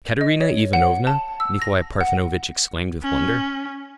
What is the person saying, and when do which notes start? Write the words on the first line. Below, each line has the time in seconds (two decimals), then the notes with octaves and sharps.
"Katerina Ivanovna!" Nikolay Parfenovitch exclaimed with wonder.
0.21 D#5
0.41 C#5
0.73 F#5
1.07 A5
1.40 E6
1.62 A#6
2.01 F#5
3.03 C#4